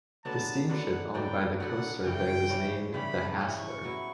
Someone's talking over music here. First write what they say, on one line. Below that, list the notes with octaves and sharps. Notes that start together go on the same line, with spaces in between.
The steamship owned by the Coast Survey was named the "Hassler".
D3 F#3 B3 D4 A5
D3 F#3 B3 D4 F#5
D3 F#3 B3 D4 G5
D3 F#3 B3 D4 F#5
C#3 E3 G3 C#4 G5
C#3 E3 G3 C#4
C#3 E3 G3 C#4 B5
C#3 E3 G3 C#4 C#6
F#3 B3 E4